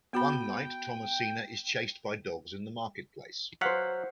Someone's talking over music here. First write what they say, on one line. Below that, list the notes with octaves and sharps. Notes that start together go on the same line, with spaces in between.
One night Thomasina is chased by dogs in the marketplace.
B3 F#4 G5 B5
F#3 C5 F5 F#5 B6